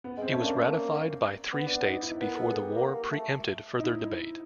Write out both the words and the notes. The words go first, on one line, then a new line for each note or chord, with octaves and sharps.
It was ratified by three states before the war pre-empted further debate.
B3
G#3
C4
A3 C#4
A#3 D4
A3
A#3
B3
B3 D4
D4
D#4
E4
B4
B3 A#4
A4
G#4
G4
A#3
A#3
A3
D#4
E4